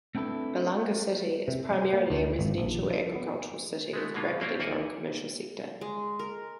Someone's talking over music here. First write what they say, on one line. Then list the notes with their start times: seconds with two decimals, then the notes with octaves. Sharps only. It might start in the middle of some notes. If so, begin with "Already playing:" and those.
Balanga City is primarily a residential-agricultural city, with a rapidly growing commercial sector.
0.15 A3 C4 D4 E4 A4 B4
1.48 C3
1.71 G3
1.93 A#3
2.10 D2
2.39 G#1
2.58 A#1
2.90 F3
3.15 B3
3.93 G#3 A3 B3
4.14 B2 D3 G#3 A#3 F4
4.40 F#3 A#3 C4 E4 F4
4.60 D2 A#3 A4 D5 F#5 G#5
5.81 G#3
6.19 A#4